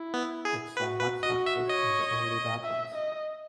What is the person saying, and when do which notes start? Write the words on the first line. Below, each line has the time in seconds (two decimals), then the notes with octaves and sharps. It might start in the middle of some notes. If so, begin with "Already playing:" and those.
It saw much success in the early battles.
Already playing: E4
0.14 B3
0.45 G#4
0.76 F#4 B4
1.00 B4
1.23 F#4 D#5
1.46 E5
1.69 C#5 D#5
2.64 E5
2.95 D#5